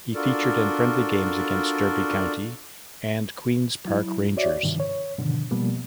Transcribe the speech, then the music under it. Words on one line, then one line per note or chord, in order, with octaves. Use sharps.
He featured in friendly games against Derby County and Queens Park Rangers.
D4 F4 F#4 A4 A#4 D5
F#3 E4
F#4 C#5 D5 E5
G2 C3 D#3 F3
C#5
G2 B2 D3 D#3 F3
B2 F3 G3 A#3 B3